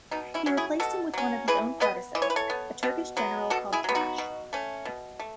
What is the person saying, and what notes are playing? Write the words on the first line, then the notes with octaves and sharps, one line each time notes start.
He replaced him with one of his own partisans, a Turkish general called Tash.
B2 D#4
C#4 E4
F#3 C#4
E4 G#4
B2 F#4 A4
F#3 C#4
E3 G#4 B4
B3 B4 D#5
E3 D#5
C#5
B4
A4 C#5
B3
B2
F#3 B3
B2 F#4 A4
E4 G#4
F#3 B3
D#4 F#4
B2
A3 C#4
B2
A3